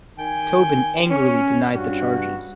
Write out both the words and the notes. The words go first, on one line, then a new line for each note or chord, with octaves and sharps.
Tobin angrily denied the charges.
D#3 G5 G#5
C#4
G2 F#4